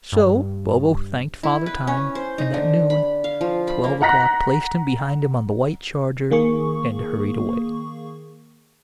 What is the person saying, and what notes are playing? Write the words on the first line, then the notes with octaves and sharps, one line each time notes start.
So Bobo thanked Father Time, and at noon, Twelve O'Clock placed him behind him on the white charger, and hurried away.
G2
E4
B4
C#4
C5
D#4
D3
B5
F5
F3
B5
A#3
F#5 A#5 F#6 A#6 B6
D#3 A#3 G#4 C#6